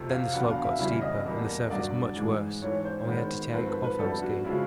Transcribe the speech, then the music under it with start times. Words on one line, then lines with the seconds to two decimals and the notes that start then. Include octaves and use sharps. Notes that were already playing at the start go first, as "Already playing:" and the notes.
Then the slope got steeper and the surface much worse, and we had to take off our ski.
Already playing: F2 C3 F3 A3 C4
0.10 F5
0.33 E2 B2 F#3 B3 D4 F#5
0.48 F5
0.63 E5
0.78 C#3 E3 G3 B3 E4 E5
1.01 D#5
1.24 E2 B2 G3 A#3
1.70 G2 D3 F#3 A3 D5
2.16 G#2 E3 G#3
2.61 G#2 E3 A3 C#5
2.85 C5
3.07 D#3 G#3 B3 C5
3.53 G#2 F3 A3 C4 B4
3.68 B4
3.84 B4
3.98 F2 D3 G3 B3 E4 A4
4.22 F#4
4.44 C#3 F3 G#3 C#4 E4 F4